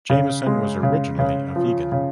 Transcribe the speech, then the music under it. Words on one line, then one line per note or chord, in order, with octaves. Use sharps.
Jamieson was originally a vegan.
C#3
G#3
C#3
C#3
F3
C#3